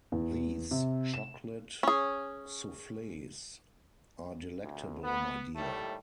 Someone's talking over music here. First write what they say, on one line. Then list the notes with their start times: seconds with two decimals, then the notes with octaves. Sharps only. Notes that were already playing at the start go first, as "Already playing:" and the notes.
These chocolate soufflés are delectable, my dear.
0.12 E2
0.71 C3
1.14 E7
1.83 C#4 G#4
4.62 D2
5.03 B3
5.56 D#2 A2 G3 A3